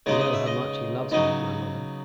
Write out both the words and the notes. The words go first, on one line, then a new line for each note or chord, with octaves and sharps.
You know how much he loves me, my mother.
C#3 G#3 B3 D#4 D#5
D#5
E5
D#5
C#3 F#3 B3 D#4 D#5